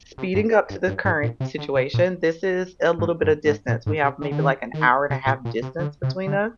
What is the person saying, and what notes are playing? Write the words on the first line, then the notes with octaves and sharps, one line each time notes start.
speeding up to the current situation, this is a little bit of distance, we have maybe like an hour and a half distance between us,
C3
G2
G2
G2
G#2
A#2
C3
D3
C3
A#2
G#2
G2
G#2
A#2
G#2
C3
D#3
D3
D#3
D#3
C3
A#2
A#2
C3
D3
C3
D3